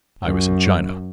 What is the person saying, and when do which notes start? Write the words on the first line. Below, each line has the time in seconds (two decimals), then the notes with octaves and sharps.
I was in China.
0.23 F#2